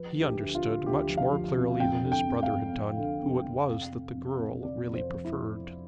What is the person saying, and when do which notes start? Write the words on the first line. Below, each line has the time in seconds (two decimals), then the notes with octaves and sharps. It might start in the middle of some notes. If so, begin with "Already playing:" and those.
He understood much more clearly than his brother had done who it was that the girl really preferred.
Already playing: F3 B4
0.15 D2
0.22 G4
0.38 D2
0.55 F4
0.62 D2
0.86 D2 G4
1.09 F3
1.17 F5
1.33 F3
1.56 C3
1.80 F2 G5
2.04 D3
2.12 G5
2.28 F2
2.43 F5
2.51 F2
2.73 F2
2.98 D3
3.21 F2
3.45 F2
3.69 C3
3.92 C3
4.15 F2
4.39 C3
4.62 C3 D5
4.86 F2
4.94 C5
5.09 F3
5.25 E4